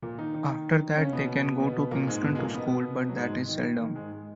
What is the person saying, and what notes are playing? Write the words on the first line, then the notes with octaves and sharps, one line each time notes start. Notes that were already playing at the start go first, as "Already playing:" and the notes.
After that, they can go to Kingston to school, but that is seldom.
A#2 A#3
D#3 D#4
D#3 D#4
C#3 C#4
B2 B3
B2 B3
A#2 A#3
G#2 G#3
B2 B3
G#3
A#2 A#3
B2 B3
F#3
G#2 G#3
D#3
D#3
G#2 G#3
G#3